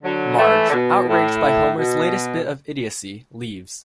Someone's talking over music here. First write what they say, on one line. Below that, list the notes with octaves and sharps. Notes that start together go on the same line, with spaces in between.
Marge, outraged by Homer's latest bit of idiocy, leaves.
D3 F#3
E3 A3
D3
B2
A2
B2